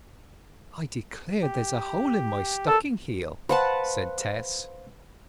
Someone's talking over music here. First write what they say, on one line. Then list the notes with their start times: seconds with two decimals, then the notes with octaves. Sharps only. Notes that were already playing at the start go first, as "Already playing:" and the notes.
"I declare there's a hole in my stocking-heel!" said Tess.
1.43 G4
2.68 D#2 A4
3.49 B4 C5 F5 F#5 A5 C6